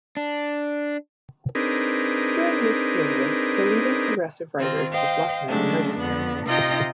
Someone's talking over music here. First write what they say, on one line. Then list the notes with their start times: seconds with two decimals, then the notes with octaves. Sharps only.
During this period, the leading progressive writers of Lucknow noticed him.
0.17 D4
1.55 C4 D4 D#4 G#4 A#4 B4
4.59 D#3 C4 F4
4.92 C5 D#5 F5 G5
5.48 C#3 F#3 G#3 A3 D4
5.99 F2 D3 B3
6.46 C3 D#4 F4 D#5 G5 A#6